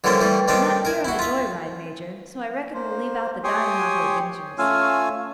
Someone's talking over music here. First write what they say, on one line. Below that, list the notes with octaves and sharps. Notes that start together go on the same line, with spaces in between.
We're not here on a joy-ride, Major, so I reckon we'll leave out the dime-novel adventures.
D3 E3 F3 G3 A#3 C#4
E3 G3 A3
D#3 G3 C4 D4 D#4
A#4 G#5
E4 F#4
F4 E5
A#3 C5
G4 C#5 G5 G#5 C6 D#6
A3 C#4 F4 F5 G#5 E6